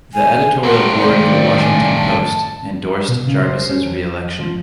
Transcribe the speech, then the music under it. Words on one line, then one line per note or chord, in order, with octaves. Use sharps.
The editorial board of The Washington Post endorsed Jarvis' reelection.
G#5
G2 C3 C4 F#4 A#4
A2 D#3 C5 D5
G#5
A5
B2
C#3
C5
C#4
F2
F3